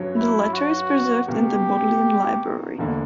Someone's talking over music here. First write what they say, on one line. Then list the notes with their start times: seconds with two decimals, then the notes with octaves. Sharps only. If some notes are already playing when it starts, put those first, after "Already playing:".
The letter is preserved in the Bodleian Library.
Already playing: G2 F#3 C#4
0.16 E4
0.53 F#4
1.28 C#2 B2 G3 A#3 G4
2.78 E1 D2 D3 A#3